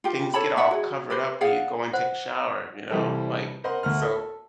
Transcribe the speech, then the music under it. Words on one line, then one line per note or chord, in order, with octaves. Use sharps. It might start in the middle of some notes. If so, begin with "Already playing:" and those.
things get all covered up when you go and take a shower, you know, like, so,
F4 G4
A4 C#5 A5 B5
D#4 D5 E5 F#5
F#4 G#4
G4 B4 C5
G#4 D5 F5 F#5
C5 F#5
C2 E3 G3 A4
A#4 C5 D#5 F#5 C6
D2 F#5 F6
A4